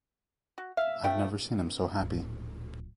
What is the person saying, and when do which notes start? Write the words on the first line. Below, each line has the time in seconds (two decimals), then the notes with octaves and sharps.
I’ve never seen him so happy.
0.58 F#4
0.77 E5 F5
1.04 F3 A3 G5
1.99 D1 A#1